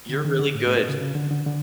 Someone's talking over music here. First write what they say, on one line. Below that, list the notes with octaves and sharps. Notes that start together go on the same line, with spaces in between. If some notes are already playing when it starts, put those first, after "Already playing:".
You're really good.
D3
D#3
D3
A2
A2
A#2
C#3
C#3
D3
D3
D3